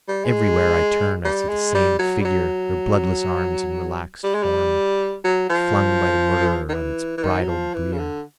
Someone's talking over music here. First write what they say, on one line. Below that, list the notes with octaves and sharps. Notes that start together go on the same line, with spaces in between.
Everywhere I turn I see the same figure--her bloodless arms and relaxed form flung by the murderer on its bridal bier.
G3
G#3
G3
G#3
G3
F#3
G3
F#3
G3
G#3
G3
F#3
F3
D#3
E3
E3
D#3
F#3
F3
E3
C#3
D3